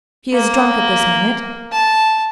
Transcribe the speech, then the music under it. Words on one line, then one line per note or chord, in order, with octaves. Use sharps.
She is drunk at this minute.
A#3
A5